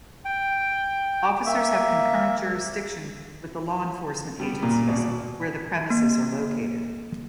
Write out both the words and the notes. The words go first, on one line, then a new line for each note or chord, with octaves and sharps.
Officers have concurrent jurisdiction with the law enforcement agencies where the premises are located.
G5
A#3 E5
G3 B3
A#2
G#1 B2 D5
A#3